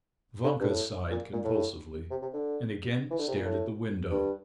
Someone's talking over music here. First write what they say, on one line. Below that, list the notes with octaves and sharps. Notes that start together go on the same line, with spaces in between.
Vanka sighed convulsively, and again stared at the window.
D3
G2
A2
A#2
A#2
A2
C3
C3
D3
E3
D3
C3
A#2
A2
G2